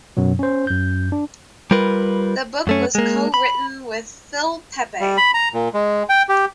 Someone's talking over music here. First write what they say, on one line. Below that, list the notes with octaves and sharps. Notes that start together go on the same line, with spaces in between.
The book was co-written with Phil Pepe.
F#2 B2 F#3
C#4 C5
F#2 G6
D4
G3 F4 A#4 B4
F#2 A3 C#4
G#3 A#3
B5
G3
B5
A#5
A#2
G#3
G5
G4